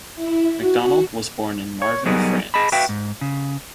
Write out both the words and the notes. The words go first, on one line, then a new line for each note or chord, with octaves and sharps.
McDonald was born in Marville, France.
E4
F#4
C#5
F#3 G3 B3 D#4 G#4 A#4
G#4 D#5 A5 B5
F#4 B4 E5 F5 G5
G#2
C#3